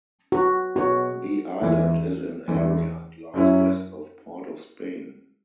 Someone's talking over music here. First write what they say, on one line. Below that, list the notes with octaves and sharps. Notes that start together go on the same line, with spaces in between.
The island is in area and lies west of Port of Spain.
F#4
B2 B3 F#4 G#4 C#5
E2 E3 G#3 E4
E2 E3 G#3 E4
F#2 F#3 C#4 E4